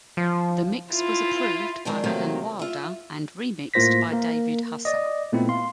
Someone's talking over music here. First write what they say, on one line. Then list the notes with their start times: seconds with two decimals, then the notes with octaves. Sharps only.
The mix was approved by Alan Wilder and re-mixed by David Husser.
0.17 F3
0.93 E4 F4
1.85 F2 D#3 G#3 D4
2.04 C3 D#3 F#3 A3 A#3
2.59 F4 E5
3.74 A2 A#3 F4 C5 A#6 B6
4.12 A#3 A#4
4.85 D5 D#5
5.32 A#2 A3 B3 C4 E4
5.49 F5 C6